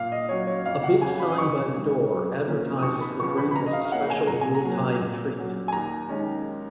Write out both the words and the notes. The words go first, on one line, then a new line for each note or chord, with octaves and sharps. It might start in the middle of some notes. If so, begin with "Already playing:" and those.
A big sign by the door advertises the drink as a special Yuletide treat.
Already playing: A#2 F5
D#5
F#3 C#4 C#5
C#5
F2 F5
F#5
C#3 F#3 C#4 G#5
B5
D#6
F2 C#6
D#3 G#3
F#2
F3 A#3 C#4
D#6
D#2 C#6
B5
C#3 F3 B3 C#6
B5
B5
B2 A#5
D#5
F5
F5
A#3 C#4 F#5
G#5
A#2 A#5
G#5
A#5
F#3 A#3 C#4
A#2
F#3 C#4
G#5
D#2 A#5
D#3 G#3 C#4